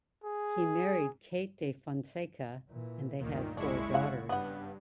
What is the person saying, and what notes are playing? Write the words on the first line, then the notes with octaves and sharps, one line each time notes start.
He married Kate de Fonseka and they had four daughters.
G#4
A#2 E3
D2 G2 A#2 D#3
F#1 C2 G#3 D4 E4 C#6
C#3 F5 F#5
G2 B3 F#5